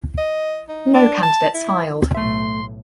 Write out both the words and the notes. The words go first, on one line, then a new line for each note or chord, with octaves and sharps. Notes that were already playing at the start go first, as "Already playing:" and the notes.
No candidates filed.
D#5
D#4
D4
A5
E4
B1 A2 A3 E5 C6